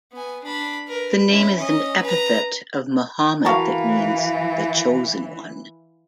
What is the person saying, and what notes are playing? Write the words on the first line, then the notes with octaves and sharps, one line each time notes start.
The name is an epithet of Muhammad that means, "The Chosen One".
B3 G#5
D4 B5
A#4 B4
C#4 E4
C#4 D#5
B4 A#5
E3 F#4 A#4 F5 A5